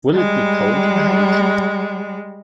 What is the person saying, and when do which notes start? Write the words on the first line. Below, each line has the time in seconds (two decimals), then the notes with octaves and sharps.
Will it be cold in Haiti?
0.13 G3 G#3